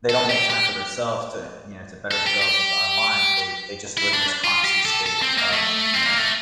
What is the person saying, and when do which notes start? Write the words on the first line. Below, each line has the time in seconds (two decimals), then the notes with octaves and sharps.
They don't make time for their selves to en you know, to better themselves and to unwind, they they just live in this constant state of, you know,
0.09 A4
0.30 G4
0.50 G4
2.11 A4
2.27 G4
2.41 G4
3.97 E4
4.13 D4
4.44 F4
4.64 G4
4.85 A4
5.06 A4
5.22 C4
5.38 A#3
5.52 A3
5.94 C4
6.06 A#3
6.18 A3